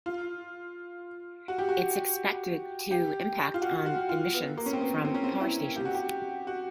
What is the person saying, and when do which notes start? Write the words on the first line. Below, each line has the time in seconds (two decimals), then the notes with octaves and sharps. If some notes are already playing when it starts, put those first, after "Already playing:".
It is expected to impact on emissions from power stations.
0.06 F4
1.48 F#4
1.58 G4
1.69 F#4
2.91 G4
3.54 F4
3.62 F#4
3.86 F#4
4.09 F4
4.34 B3
4.57 A#3
4.66 C#4
4.73 C4
4.81 B3
5.05 C4
5.14 C#4
5.24 C4
5.41 E4
5.76 G4
5.85 F#4
5.95 G4
6.47 F#4